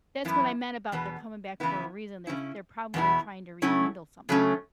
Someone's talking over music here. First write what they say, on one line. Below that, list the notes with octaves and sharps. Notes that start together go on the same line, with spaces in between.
that's what I meant about they're coming back for a reason. They're they're probably trying to rekindle something.
F#2 E3 B3 E4
E2 B2 B3
C#3 E3 B3 E4
C#3 E3 C#4 E4
E2 B2 B3 E4
C#3 F#3 A3 C#4 E4
C#3 F#3 A3 C#4